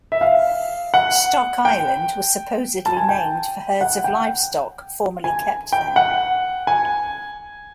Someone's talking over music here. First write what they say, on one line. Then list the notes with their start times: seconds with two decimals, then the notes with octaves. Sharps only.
Stock Island was supposedly named for herds of livestock formerly kept there.
0.12 E5
0.21 F5
0.94 F#5
1.65 G5
2.86 A5
2.97 G#5
3.09 G5
3.81 F#5
4.04 G5
5.24 G#5
5.72 G5
5.96 F#5
6.67 G#5